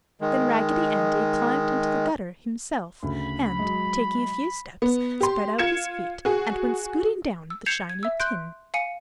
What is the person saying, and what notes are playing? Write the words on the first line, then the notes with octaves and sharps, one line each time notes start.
Then Raggedy Andy climbed into the gutter himself and, taking a few steps, spread out his feet and went scooting down the shiny tin.
D#3 G#3
D2 C#3 B5
F#3 G#3
B3
G4 C6
F4 G#6 C#7 E7
F#4 G#4
E6
G6 G#6 C7 C#7 E7 F7
G#6
E5 E6
C6 F#6 G6 D7
F5 G#5 C#7 D#7